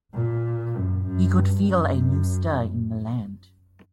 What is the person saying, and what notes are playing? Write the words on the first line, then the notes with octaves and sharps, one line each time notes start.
He could feel a new stir in the land.
A#2
F#2
F#2
G2
F#2